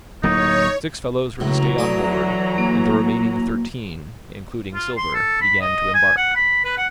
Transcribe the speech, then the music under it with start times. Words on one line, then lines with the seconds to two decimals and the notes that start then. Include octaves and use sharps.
Six fellows were to stay on board, and the remaining thirteen, including Silver, began to embark.
0.23 D1 F#3 A#3 D#4 C#5
1.40 C#2 A2 E3 F#3 A#5
1.78 A3 D5 D#6
2.58 A#3
4.75 F4
4.97 C6
5.14 A4
5.41 B5
5.61 D#5
5.94 G#5
6.17 F#5
6.36 B5
6.65 B4
6.77 F#5